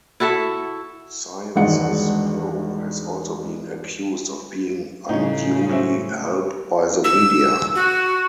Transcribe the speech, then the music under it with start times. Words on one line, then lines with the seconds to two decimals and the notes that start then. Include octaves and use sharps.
Sciences Po has also been accused of being unduly helped by the media.
0.20 E4 F#4 A4 E5
1.56 E1 G2 D#3 G#3 F#5 C#7
5.09 A2 C#3 D#4 C#5
5.70 F#4 C5 E5
7.04 E6
7.75 F#4